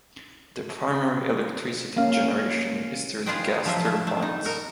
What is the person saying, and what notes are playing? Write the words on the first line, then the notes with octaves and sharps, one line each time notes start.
The primary electricity generation is through the Gas turbines.
A#3 C#4 F5
F4 G#4 B4 C5 D#5 G5
F3 F#3 A#3 F4 D#5 E5
A3
A3
D#4
F#4 A#4